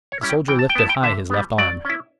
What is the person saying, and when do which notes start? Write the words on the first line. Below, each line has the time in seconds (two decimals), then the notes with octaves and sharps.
The soldier lifted high his left arm.
0.12 C#5
0.21 G3 C#4 E4
0.29 G5
0.48 E3 G5
0.59 A5
0.69 G5
0.75 B3 E4 A5
0.89 G5
1.03 D3 E5
1.30 G3 B3
1.58 F#3 D5
1.85 C#4 E4